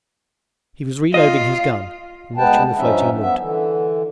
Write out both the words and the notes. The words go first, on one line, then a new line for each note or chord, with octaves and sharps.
He was reloading his gun and watching the floating wood.
F4 D#5
D2 G#3 B3 B4 G5 A5
G2 F3 C#4 D#4 E5
B3 E5
D3 E3